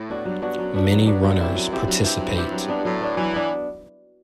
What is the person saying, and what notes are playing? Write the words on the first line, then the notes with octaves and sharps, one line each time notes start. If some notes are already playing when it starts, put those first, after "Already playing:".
Many runners participate.
Already playing: A2
B3 D4 F#4
G2 F#3
B3 D4 F#4
F#2 F#3
B3 D4 F#4
G2 F#3
B3 D4 F#4
F#2 F#3
C4 E4 G4
F#3
C4 E4 G4
G2 F#3
C4 E4 G4
F#3
C4 E4 G4
F#3
B3 D4
A2 F#3
B3 D4
E3 F#3
B3 D4